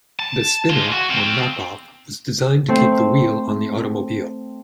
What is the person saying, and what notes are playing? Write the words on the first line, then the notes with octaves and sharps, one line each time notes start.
The spinner or "knock-off" was designed to keep the wheel on the automobile.
A5
G#3 F4
F#4
C4 F4
A3 C4 C5